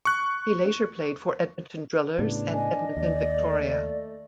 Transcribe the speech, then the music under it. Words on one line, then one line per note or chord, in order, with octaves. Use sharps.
He later played for Edmonton Drillers and Edmonton Victoria.
C#6 F#6
A2 C#3 B3 D4
D#5 G#5
D#2 D5
A3